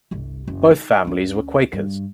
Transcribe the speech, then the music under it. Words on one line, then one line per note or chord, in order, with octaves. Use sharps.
Both families were Quakers.
G1 C2
F#1
D#4
D2 C#4
G2